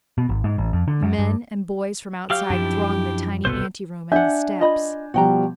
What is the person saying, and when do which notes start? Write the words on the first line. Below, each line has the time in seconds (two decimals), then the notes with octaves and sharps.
The men and boys from outside thronged the tiny anteroom and the steps.
0.18 B2
0.29 G#1
0.44 G#2
0.58 A1
0.73 F2
0.88 D3
1.02 F#2
1.18 G2
2.30 F#3 G4 F5 F6
2.50 F#2 F3 D4 E4
3.45 G1 C2 B2 A4 B4 C5
4.12 D4 E5 F#5 G#5 G6
4.60 F4 D#5 B5
5.14 B2 F3 G3 F#4 G5 A#5